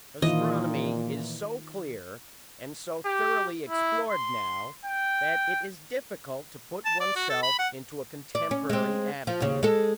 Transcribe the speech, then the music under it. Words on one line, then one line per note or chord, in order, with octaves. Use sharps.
Astronomy is so clear and so thoroughly explored now, that it is difficult to put oneself into a contemporary attitude.
A#2 D#3 E3 F4 D#5
G4
E4
C6
G5
A5
D5
F#4
A4
B5
F#5
D5
C#4
G#3 C4
F3
D#2 C#3
G#3 A4